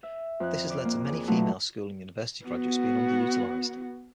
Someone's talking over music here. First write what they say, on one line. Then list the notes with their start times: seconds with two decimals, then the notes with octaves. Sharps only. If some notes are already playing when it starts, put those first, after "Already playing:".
This has led to many female school and university graduates being under-utilized.
0.03 E5
0.40 F2 F#6
0.70 D5
0.85 A#3
1.05 G#4 D5
1.27 A#2 E3 F#3 A3 D#4
2.46 B3 F#4